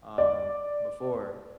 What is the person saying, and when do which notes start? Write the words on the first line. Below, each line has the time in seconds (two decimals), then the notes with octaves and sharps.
um, before,
0.18 D5